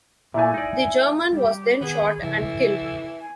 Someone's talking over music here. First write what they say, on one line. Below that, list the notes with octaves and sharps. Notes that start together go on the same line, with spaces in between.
The German was then shot and killed.
A#2 A3 E4 G#5
D#4 D5
G3 G4
D#3 B3 G#4
C#3 E3 F3 A4
G#5